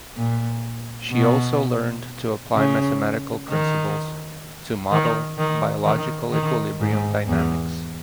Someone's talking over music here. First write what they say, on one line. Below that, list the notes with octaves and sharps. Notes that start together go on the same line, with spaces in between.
She also learned to apply mathematical principles to model biological equilibrium dynamics.
A#2
B2
C#3
D#3
D#3
D#3
D#3
D#3
G#2
E2